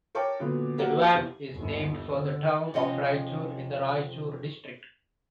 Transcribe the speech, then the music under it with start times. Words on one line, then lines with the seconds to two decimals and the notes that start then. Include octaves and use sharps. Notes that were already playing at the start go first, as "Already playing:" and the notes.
The doab is named for the town of Raichur in the Raichur District.
0.15 A#4 C#5 G5 A5 D6
0.40 A#2 D3 F#3 B3
0.78 F#3 A#3 G4 A#4 F#5
1.12 E2 C3
1.52 G1 D#2
2.08 D3
2.74 C3 F3 C#4 D#5